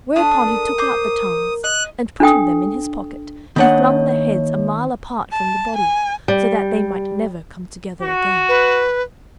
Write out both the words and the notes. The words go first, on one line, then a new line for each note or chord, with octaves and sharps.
Whereupon he took out the tongues, and putting them in his pocket, he flung the heads a mile apart from the body, so that they might never come together again.
A3 D4 D#6
A#4
C5 D6
D#5 F#6
D4 A4 G5 D#6
D#3 A#3 D4 C#5 F#5
A5
G#5
G3
F#4
B4